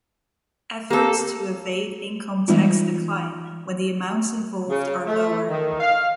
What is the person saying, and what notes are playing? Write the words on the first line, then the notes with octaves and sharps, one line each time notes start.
Efforts to evade income tax decline when the amounts involved are lower.
A#3 G4 A4
E3 G3 G#3 B3 D#4 F4
C#3
A3
D#3
F5